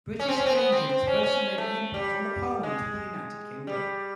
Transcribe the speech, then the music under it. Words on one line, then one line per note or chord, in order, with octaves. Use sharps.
British Asians have also made an impact on the parliament of the United Kingdom.
C#4
C4
C#4
C4
B3
C4
C4
C#4
C#4
A3
G3
G#3
G3